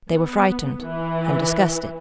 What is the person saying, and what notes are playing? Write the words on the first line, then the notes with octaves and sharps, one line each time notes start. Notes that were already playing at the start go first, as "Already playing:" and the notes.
They were frightened and disgusted.
B3
E3